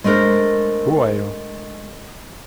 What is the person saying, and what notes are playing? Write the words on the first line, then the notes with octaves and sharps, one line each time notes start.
Who are you?
G#3 A3 D4 A#4 C5